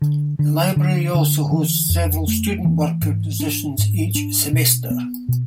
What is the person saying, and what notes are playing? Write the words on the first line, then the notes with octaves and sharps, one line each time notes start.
The Library also hosts several student-worker positions each semester.
D3
D3
D3
D3
E3
F2
A3
E3
G#2
D4
G#2
D4
B2
B3
B2